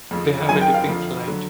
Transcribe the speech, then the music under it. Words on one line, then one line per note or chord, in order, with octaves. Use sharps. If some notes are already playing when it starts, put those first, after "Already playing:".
They have a dipping flight.
F2 C#3 F3
F#2 D#3 F#3 G#5
G5
F5
F2 D3 F3
D3 F#3